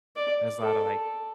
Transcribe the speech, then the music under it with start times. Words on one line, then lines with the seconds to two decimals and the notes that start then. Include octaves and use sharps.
there's a lotta like,
0.16 D5
0.61 A4